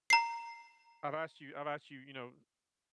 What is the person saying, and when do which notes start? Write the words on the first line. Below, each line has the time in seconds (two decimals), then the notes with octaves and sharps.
"I've asked you I've asked you," you know,
0.10 A#5 C7